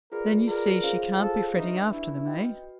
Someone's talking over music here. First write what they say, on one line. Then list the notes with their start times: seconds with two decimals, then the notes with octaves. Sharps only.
'Then, you see, she can't be fretting after them, eh?
0.11 F4 G#4 A#4 B4 D5
0.47 F4 G#4 A#4 B4 D5
0.83 C#4 F4 G#4 C5 F5
1.19 C#4 F4 G#4 A4 C5 F5
1.55 D4 D#4 G4 B4 E5
1.92 D4 E4 G4 B4 E5
2.27 F#4 B4 D#5 G5
2.64 F#4 B4